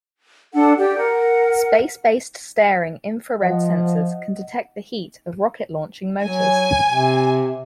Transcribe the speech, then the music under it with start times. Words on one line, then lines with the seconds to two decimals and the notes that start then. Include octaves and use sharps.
Space-based Staring Infrared Sensors can detect the heat of rocket launching motors.
0.54 D4 A4 F#5
0.78 G4 D5 G5
0.97 A#4 F#5
3.42 F3 D#5 F#5
6.24 F#3 G#5
6.89 C3